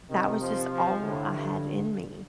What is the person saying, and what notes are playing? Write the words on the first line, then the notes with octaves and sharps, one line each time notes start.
that was just all I had in me,
C3 D#3
F3
F3
A2 D3
G2